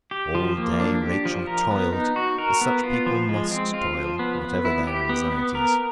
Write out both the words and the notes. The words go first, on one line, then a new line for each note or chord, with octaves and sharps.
All day, Rachael toiled as such people must toil, whatever their anxieties.
G4
F3
A#3
D4
G4
F3
A#4
B3
D#4
F#4
A#4
B3
F4
F3
G#3
C4
F4
F3
B3
B3
E4
G4
B3
B3
A#4